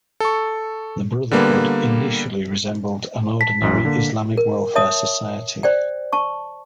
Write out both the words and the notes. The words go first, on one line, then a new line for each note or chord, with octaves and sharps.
The Brotherhood initially resembled an ordinary Islamic welfare society.
A4 C#6
D3 G3 A#3 B3 B4
A5 B6
A1 F#2
D3 A#3
A#4
C#5 E5 A5 D#6
C5 D5 G5
A5 C#6